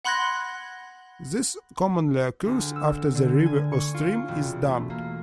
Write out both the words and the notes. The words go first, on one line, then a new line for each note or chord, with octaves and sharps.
This commonly occurs after the river or stream is dammed.
F#5 B5 C6 F#6 G#6 A#6
D2
E6
D3
G#5
C#6
F4
E1
A3
A#3